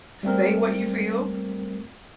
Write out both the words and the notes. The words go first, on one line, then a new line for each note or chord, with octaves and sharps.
say what you feel,
G3 A3 C4 A#4